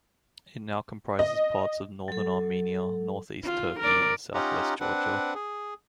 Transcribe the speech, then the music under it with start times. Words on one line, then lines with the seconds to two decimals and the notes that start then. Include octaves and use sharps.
It now comprises parts of northern Armenia, northeast Turkey, and southwest Georgia.
1.19 D#5
2.08 F#3 A4
3.44 F4
3.80 A#4 D5
4.34 C#4 D#4 F4 G4 F#5 A#5
4.80 C4 D4 B4 F#5
5.35 G#4